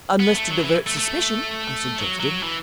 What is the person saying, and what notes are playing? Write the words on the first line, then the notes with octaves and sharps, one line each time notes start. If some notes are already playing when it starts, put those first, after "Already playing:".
"Unless to divert suspicion," I suggested.
B3
A3
F#3
E3
A3
A3
F#3
F#3
E3